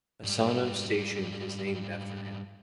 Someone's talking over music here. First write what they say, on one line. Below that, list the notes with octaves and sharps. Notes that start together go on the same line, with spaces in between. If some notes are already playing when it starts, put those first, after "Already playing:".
Asano Station is named after him.
G#2 G3